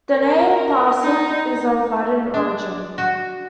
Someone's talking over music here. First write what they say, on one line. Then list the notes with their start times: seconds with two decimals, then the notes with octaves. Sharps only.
The name "Parcent" is of Latin origin.
0.11 A#4
1.02 D#4
2.34 D4
2.98 F#4